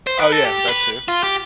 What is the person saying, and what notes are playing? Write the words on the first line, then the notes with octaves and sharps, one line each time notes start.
Oh yeah, that too.
C5
B4
A4
G4
B4
F4
G4